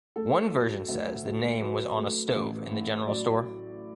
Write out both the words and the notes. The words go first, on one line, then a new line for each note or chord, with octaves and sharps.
One version says the name was on a stove in the general store.
A3 A4
F#3
D2
D2
F#3 B4
A3
A1
A2
F#3 D5